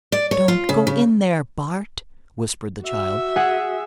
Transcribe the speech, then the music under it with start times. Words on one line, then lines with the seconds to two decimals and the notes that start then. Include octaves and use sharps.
"Don't go in there, Bart!" whispered the child.
0.12 D5
0.31 C#5
0.48 F4
0.69 C#3
0.87 C#3
2.82 F#4 E5
3.36 G#4 F#5 G#5